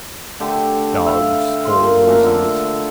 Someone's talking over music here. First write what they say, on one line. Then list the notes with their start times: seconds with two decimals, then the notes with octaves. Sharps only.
Dogs' cold noses.
0.40 D3 A3 G4
1.06 E5 F5 B5
1.65 F5 C6
1.80 A#2
2.07 A3 C#4 D4 A#4
2.23 D3 E5